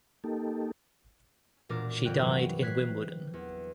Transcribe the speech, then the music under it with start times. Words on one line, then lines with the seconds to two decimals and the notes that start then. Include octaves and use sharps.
She died in Wimbledon.
0.24 A#3 D#4 G4 A4
1.69 E1 A#2 D4 A#4 D6
2.04 F2 D3 G5 F#6 D7
2.20 G2 C3 E3 F#3
2.63 F#6 G#6 B6 C7
3.33 E2